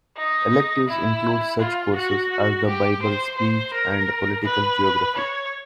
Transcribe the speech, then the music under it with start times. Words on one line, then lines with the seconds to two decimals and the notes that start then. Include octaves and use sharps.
Electives include such courses as the Bible, speech, and political geography.
0.17 D#4
0.88 E4
1.60 F4
1.96 F#4
2.30 F#4
2.66 G4
3.02 C5
3.38 C5
3.73 A#4
4.44 B4
5.15 C#5